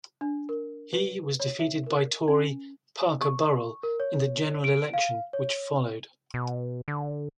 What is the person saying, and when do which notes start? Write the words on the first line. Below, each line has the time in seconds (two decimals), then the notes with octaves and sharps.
He was defeated by Tory Parker Burrell in the general election which followed.
0.21 D4
0.49 A#4
0.93 B4
1.40 C#5
1.59 E5
1.86 A#4
2.28 C#4
3.22 C#6
3.83 A#4
4.00 C#5
4.64 D7
4.94 F5
5.33 C#5
6.34 B2
6.88 D3